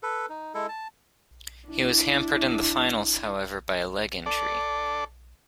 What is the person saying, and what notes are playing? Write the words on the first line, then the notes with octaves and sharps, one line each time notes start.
He was hampered in the finals, however, by a leg injury.
A4 B4
D#4
G#3 E4 A4
A5
D4 E4
A4 D5